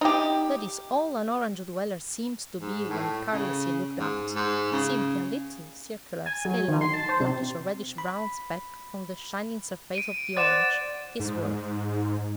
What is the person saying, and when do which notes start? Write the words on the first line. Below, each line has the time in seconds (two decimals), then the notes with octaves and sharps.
That is all an Orange-dweller seems to be when carelessly looked at; simply a little circular, scale-like, blackish or reddish-brown speck on the shining surface of the orange, his world.
0.01 D#4 G4
2.61 G#2
2.90 A2
3.33 C#3
3.99 G#2
4.35 G#2
4.72 C#3
6.26 G#5
6.45 F#3
6.68 D#3
6.81 C6
6.93 A5
7.09 C5
7.20 C3
7.98 B5
9.95 D7 D#7
10.37 C5 D5 F#5 A6 E7
11.20 G#2